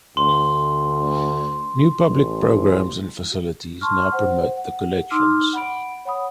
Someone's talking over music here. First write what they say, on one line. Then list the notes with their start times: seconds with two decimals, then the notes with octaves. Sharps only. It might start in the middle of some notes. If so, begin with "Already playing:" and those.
New public programmes and facilities now promote the collections.
0.17 D2 C6
2.06 A1
3.81 A5 C6 C#6 F6
4.12 C5 F#5
4.57 F#5
5.11 D#4 C6 D6 E6 F6
5.53 F#5 B5 D7
6.05 C#5 F#5 B5 D#6